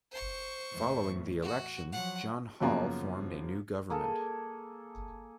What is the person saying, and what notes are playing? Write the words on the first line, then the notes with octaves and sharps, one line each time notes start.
Following the election, John Hall formed a new government.
C5 C#6
E2 A2
F#4
F3 F#3 F#5
F#2 C#3 F3 A#3 B3 C#4
A#3 G#4 A4